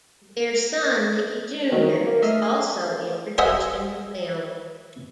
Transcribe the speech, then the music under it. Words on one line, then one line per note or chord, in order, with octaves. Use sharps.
Their son, Nicky Junior is also introduced in the film.
D#3 F#3
A#3
A3 D#5 E5 F6 C7
A#4 C5 D#5 E5 F#5 G#5